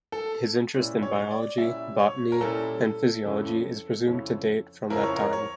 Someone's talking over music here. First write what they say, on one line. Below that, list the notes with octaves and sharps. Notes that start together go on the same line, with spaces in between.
His interest in biology, botany and physiology is presumed to date from that time.
A4
A#2 G3 C#4 E4
C#5
D5
A#2 G3 C#4 E4 E5
C#5
A#4
A#2 G3 C#4 E4 A4
F2 C#3 F3 C#4 E4
F2 C#3 F3 C#4 E4
F2 C#3 F3 C#4 E4 A#4
C#5
A#4
C#5